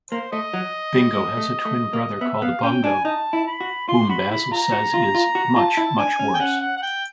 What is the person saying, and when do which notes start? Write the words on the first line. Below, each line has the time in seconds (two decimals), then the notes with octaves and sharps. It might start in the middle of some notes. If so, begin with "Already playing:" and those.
Bingo has a twin brother called Bungo whom Basil says is "much, much worse".
0.12 A#3 C5
0.32 A3 D#5
0.53 F#3
0.96 G3
1.16 G#3
1.37 A3
1.65 A3
1.93 A#3
2.21 B3 E5
2.42 B3 F5
2.63 C#4 G5
2.84 D4 G#5
3.05 D#4 A5
3.33 E4
3.47 B5
3.61 F#4
3.88 F4 C6
4.09 F#4 B5
4.31 E4 B5
4.51 F4 A#5
4.72 F#4
4.94 F4
5.15 F4
5.35 F#4
5.56 F4 A5
5.77 E4
5.98 D4 G#5
6.19 C#4
6.34 G5
6.40 C#4 F#5
6.61 F#5
6.77 F#5
6.82 G5